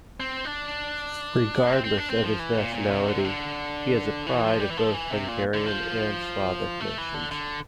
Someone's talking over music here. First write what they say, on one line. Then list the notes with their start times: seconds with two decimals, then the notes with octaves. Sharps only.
Regardless of his nationality, he is a pride of both Hungarian and Slovak nations.
0.20 C4
0.45 D4
1.67 A#3
1.73 C4
1.84 C4
1.97 D4
2.10 C4
2.23 F3
2.39 E3
2.57 A#2
2.74 A#2
2.91 C3
3.08 D3
3.18 C3
3.24 D3
4.27 E3
4.44 F3
4.60 G3
4.70 E3
4.77 F3
4.94 E3
5.11 C3
5.28 A#2
5.54 D3
5.66 F3
6.80 A3
6.98 E3
7.14 D3
7.31 D3